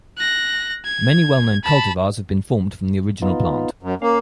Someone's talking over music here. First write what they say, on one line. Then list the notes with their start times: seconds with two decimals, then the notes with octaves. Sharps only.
Many well known cultivars have been formed from the original plant.
0.18 F#6 A#6
0.85 G#6
1.64 A5 B5
3.22 B3 D#4 F4
3.83 F#2
4.02 A#3 C#4 F5